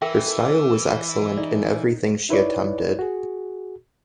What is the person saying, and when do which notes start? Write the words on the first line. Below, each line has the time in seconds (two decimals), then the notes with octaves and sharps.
Her style was excellent in everything she attempted.
0.02 E3 A#4 E5 G5
0.25 A4
1.38 D#4 D5
2.29 D#4 E4 B4 C#5 D5
2.99 F#4 G#4